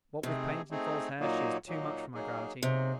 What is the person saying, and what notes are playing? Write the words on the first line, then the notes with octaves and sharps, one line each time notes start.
What with paint and false hair, she is too much for my gravity.
C3 A3 C4 D#4 G#4
A3 C4 D#4 G#4
A#2 F#3 A#3 D#4
A#2 F#3 A#3 D#4
F#3 A#3 D#4 G#4
C3 F#3 A#3 D#4 G#4